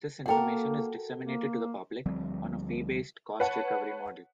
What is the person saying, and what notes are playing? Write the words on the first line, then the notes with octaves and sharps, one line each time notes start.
This information is disseminated to the public on a fee-based cost-recovery model.
A#3 F#4 A4 A#4 F#5 G5
A#3
D2 F3 G3 C4
B4 C#5 F#5 A5